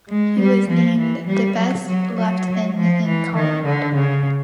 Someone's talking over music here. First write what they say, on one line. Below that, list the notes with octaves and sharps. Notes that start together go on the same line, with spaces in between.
He was named the Best Left End in Colorado.
G#3
G3
F3
E3
G3
F#3
F#3
F#3
F3
E3
D#3
D3
C#3